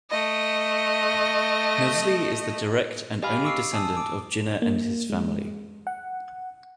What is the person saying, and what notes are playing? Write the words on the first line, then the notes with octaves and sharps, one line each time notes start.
Nusli is the direct and only descendent of Jinnah and his family.
A3 D#5
G4 D#5 F5 G#5 B5 F6
C#6 D6 E6 C7
G#5 A5 D#6 E6
D6
A#3
G#3
F#5